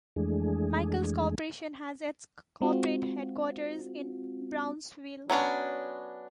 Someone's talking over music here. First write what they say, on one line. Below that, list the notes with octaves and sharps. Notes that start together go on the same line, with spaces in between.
Michels Corporation has its corporate headquarters in Brownsville.
F2 E3 G#3 A3 D4 G#4
G#3 C4 F4 F#4
F#3 B3 C#4 D4